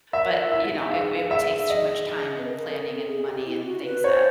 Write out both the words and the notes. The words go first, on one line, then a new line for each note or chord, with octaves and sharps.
But, you know, it it would take too much time and planning and money and things that,
A#4 E5
F4
E4 E5
D#4
G#4 F5
E5
D#5
B4
A#4
A4
A4
G#4
G4
E4
F#4
B4
C5 C#5